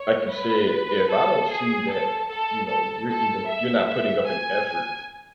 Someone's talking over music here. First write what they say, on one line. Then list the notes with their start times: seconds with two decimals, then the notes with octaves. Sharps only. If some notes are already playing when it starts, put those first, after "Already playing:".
like you said, if I don't see that, you know, you're even you're not putting up an effort
Already playing: C#5
0.31 B4
1.10 A4
1.50 G#4
1.89 A4
2.29 A4
2.68 A4
3.08 A4
3.47 E5
3.87 E5
4.26 G#5